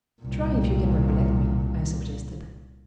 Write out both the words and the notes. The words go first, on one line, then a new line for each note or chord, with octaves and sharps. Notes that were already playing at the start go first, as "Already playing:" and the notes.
"Try if you can recollect me," I suggested.
C2 A#2